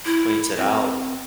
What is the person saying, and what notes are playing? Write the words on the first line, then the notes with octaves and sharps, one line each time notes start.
points it out,
E4
C4